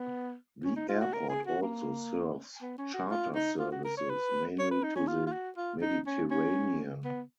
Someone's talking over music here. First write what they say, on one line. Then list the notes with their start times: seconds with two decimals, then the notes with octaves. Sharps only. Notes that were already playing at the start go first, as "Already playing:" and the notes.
The airport also serves charter services, mainly to the Mediterranean.
Already playing: B3
0.64 C#4
0.76 D#4
0.89 F4
1.01 F#4
1.13 A#4
1.30 G#4
1.46 F#4
1.62 A#3
2.62 B3
2.78 C#4
2.94 F#4
3.11 F4
3.35 D#4
3.60 F4
3.72 F#4
3.85 A#4
3.97 C#5
4.09 B4
4.59 C#5
4.71 B4
4.83 D#4
4.96 C#4
5.08 F4
5.27 F4
5.32 F#4
5.57 F4
5.81 D#4
6.07 C#4
6.31 C#4
7.04 B3